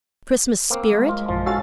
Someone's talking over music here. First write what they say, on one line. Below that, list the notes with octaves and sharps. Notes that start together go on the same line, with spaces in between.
Christmas spirit?
A#3 C4
G#3
F4
A1 F#2 A#2 F3
C#4 F#4 A4 F5 A6